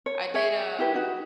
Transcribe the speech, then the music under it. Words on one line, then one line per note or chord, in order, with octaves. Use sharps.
I did, um
C#5
G#4 C#5 E5
E4 G4 B4
D#4 F#4